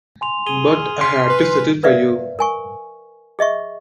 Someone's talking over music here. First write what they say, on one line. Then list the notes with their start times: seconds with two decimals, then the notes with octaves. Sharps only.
But I had to settle for you.
0.21 G#5 C6 F7
0.47 G#4 G#5 D#7 G7
0.73 F6
1.01 C6 F6 B6
1.30 B4
1.83 A#4 B4 D5 E5 F5
2.39 A#4 G#5 C#6
3.39 G#4 D#5 E5 C#6